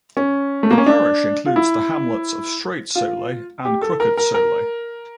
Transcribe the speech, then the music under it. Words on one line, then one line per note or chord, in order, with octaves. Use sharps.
The parish includes the hamlets of Straight Soley and Crooked Soley.
C#4
A3
A#3
C#4
D4
F4
E4
F4
G4
A4
A#4
A#4
A#4